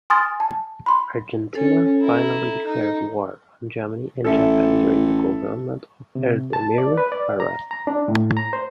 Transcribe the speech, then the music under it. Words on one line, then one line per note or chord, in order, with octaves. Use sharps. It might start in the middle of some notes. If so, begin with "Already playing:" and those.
Argentina finally declared war on Germany and Japan during the government of Edelmiro Farrell.
G#5 C6 D#6 F6 A6
A5
B5 C6
C#4 A4
E4 A#5
D#4
A1 A4 E5
C3
A5
D5
B4
D5
A#5
A#5
D4
A2
A#5
C5